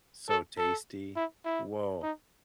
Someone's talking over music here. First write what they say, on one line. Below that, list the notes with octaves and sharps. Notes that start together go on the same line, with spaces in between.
So tasty. Woah.
A4
A4
E4
E4
D#4